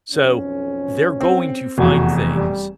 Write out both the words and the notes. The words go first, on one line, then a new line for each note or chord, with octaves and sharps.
So they're going to find things,
B1 F2 C#4
C4
F1 E2 F#4
G3